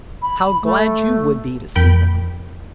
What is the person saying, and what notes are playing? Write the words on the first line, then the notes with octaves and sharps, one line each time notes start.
"How glad you would be to see them!"
B5
A3
F2 A#4 G5 B5